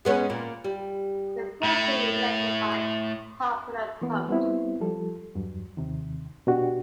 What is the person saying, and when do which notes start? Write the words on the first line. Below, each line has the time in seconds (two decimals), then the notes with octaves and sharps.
The president is elected by popular vote.
0.05 G#3 B3 C#4
0.30 A#2
0.64 G3
1.63 A2 A3
4.02 E3 A#3 B3
4.28 G3 B3 C4 E4
4.81 F3 G3 A4
5.35 E2 G2 F#3
5.77 D#2 C3 D#3
6.47 B2 D4 F#4 G4